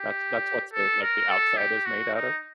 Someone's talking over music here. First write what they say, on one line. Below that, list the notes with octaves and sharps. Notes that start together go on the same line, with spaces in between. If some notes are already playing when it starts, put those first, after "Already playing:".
That's that's what's they like, the outside is made out of?
Already playing: G4
A4
A#4
A4
G4
F#4
D#4